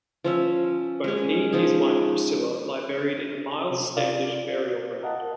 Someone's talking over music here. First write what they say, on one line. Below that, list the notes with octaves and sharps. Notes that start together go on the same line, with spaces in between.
Both he and his wife Priscilla lie buried in the Myles Standish Burial Ground.
F3 C#4 E5
G#3 C#4
F3 D#4 G#4
C3
F4 D5 F5
A#4 D#5 F#5 A5